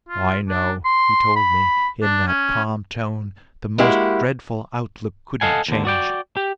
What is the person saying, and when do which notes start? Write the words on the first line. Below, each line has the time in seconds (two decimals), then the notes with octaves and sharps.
"I know," he told me in that calm tone the most dreadful outlook couldn't change.
0.09 F4
0.48 D4
0.85 C6
1.36 B5
2.02 D4
2.28 C#4
3.78 G#3 A#3 E4 F#4 G4
5.41 A4 D#5 F5 F#5 G#5
5.68 D#2 D3
5.85 F#4 D5 G5
6.37 G4